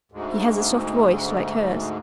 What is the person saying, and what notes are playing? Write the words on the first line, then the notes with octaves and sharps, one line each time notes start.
He has a soft voice, like hers.
D2 G#2